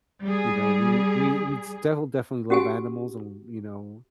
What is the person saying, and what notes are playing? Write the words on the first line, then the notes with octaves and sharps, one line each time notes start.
you know, we we we'd still definitely love animals and, you know,
G3 G#4
C#4 F#4 G4 F#5 G#5